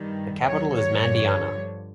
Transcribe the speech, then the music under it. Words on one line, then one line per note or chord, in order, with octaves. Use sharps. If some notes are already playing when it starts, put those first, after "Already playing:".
The capital is Mandiana.
Already playing: G2 D#3 G3
D#2 D#3 F#3 C#5
C#5
G2 D3 F3